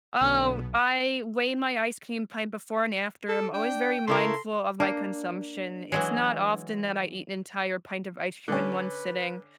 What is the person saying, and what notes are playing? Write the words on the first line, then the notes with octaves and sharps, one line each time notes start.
Oh, I weigh my ice cream pint before and after, I'm always very mindful of my consumption; it's not often that I eat an entire pint of ice cream in one sitting
B1 B2 D3 B3
A4
D4 G5
C#3 E4 A4 A#4 C6
A#3 D4
E3 F#3 G#3
D3 C#4 B4